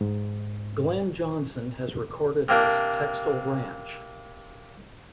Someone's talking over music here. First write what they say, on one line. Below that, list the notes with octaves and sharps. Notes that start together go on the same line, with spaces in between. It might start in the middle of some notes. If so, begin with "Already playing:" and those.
Glen Johnson has recorded as 'Textile Ranch'.
G#2
C3 A#3 D4